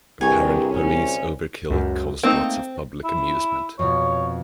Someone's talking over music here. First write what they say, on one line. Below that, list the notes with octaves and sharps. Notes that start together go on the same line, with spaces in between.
Apparent police overkill caused lots of public amusement.
C2 G2 C3 G#4 C#5 G#5
D2 C#4
C#2 F#2
A3 A#3 C4 D#4
E4
F2 B2 C#5